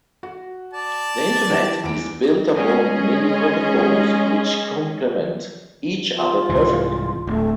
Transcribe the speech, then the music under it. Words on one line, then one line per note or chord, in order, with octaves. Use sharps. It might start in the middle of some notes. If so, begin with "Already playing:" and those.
The internet is built upon many protocols which compliment each other perfectly.
F#4
D5 A5
E3 G4 E7
E2 D7
G#3 C#4 G#4 D#5
F4
C2 G#2 E3
D1 A3